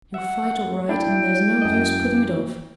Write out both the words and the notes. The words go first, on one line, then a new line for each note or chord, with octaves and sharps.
He'll fight all right and there's no use puttin' it off.
E5 F#5
D4 E4 G5
F#2 D#5